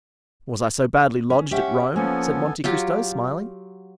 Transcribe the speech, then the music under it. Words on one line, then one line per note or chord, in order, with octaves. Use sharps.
"Was I so badly lodged at Rome?" said Monte Cristo smiling.
C#4
C#4 G4 E5 F#5
F3 A#3 B3 C#4 A4 G#5
F#3 F4 G4